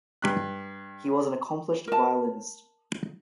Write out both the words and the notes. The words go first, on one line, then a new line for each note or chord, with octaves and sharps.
He was an accomplished violinist.
G2 F#6
A#4 A5